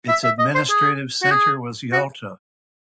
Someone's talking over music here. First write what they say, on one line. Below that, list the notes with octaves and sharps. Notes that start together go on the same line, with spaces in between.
Its administrative centre was Yalta.
E5
E5
D#5
C5
G#4
F#4
G#4
F#4